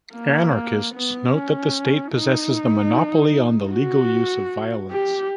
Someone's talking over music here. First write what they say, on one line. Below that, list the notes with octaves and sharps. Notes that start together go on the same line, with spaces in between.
Anarchists note that the state possesses the monopoly on the legal use of violence.
A#3
B3
C#4
D#4
F#4
G4